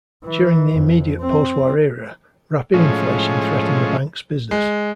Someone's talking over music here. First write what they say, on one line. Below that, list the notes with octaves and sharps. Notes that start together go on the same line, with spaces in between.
During the immediate postwar era, rapid inflation threatened the bank's business.
E3
F2
C4
A2 F3 G#3 C#4
G#3